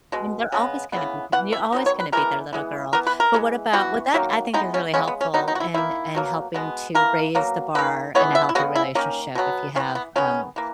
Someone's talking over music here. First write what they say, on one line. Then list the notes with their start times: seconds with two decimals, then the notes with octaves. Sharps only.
and they're always gonna be you're always gonna be their little girl, but what about well, that I think is really helpful, in in helping to raise the bar in a healthy relationship, if you have, um,
0.12 B2 G#3
0.52 C#3 G#3 B3
0.92 C#3 E3 B3
1.32 E3 B3 F#5
1.52 E5
1.72 D#3 F#3 B3
1.86 C#5
2.00 B4
2.12 E3 G#3 B3 A#4
2.53 E3 G#3 B3
2.93 E3 B3 A#4
3.07 B4
3.20 A#4
3.34 E3 G#3 B3
3.73 E3 B3 F#4
4.14 D#3 F#3 A#3
4.54 E3 G#3 B3 D#4
4.74 C#4
4.94 C#3 G#3 B3 C#4
5.08 B3
5.21 C#4
5.34 D#3 F#3 B3 D#4
5.48 D#4
5.55 F#4
5.60 E4
5.74 D#3 A#3 E4
6.15 B2 F#3 A#3
6.54 B2 G#3 B3
6.95 E3 A#3 A#4
7.35 B2 F#3 A#3
7.75 D#3 A#3 B4
8.15 E3 G#3 B3 C#5
8.35 E5
8.49 E4
8.55 C#3 G#3 B3 F#4
8.75 E4
8.95 D#3 A#3 C#4
9.35 B2 F#3 B3
9.75 E3 C#4
9.80 B3
9.95 B3
10.16 D#3 G#3 B3 C#4
10.56 E3 A#3